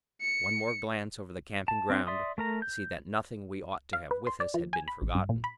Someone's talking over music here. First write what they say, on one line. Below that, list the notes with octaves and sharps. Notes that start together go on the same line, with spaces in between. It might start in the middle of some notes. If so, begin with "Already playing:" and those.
One more glance over the camping-ground to see that nothing we ought to have with us had been forgotten.
C#7
A5
C4 D4
D5 E5 C6 D#6
A3 A#4 A#5
G6
F5
B4
C6
D5
F3
G#5
B5
A1
G2
A#2
B5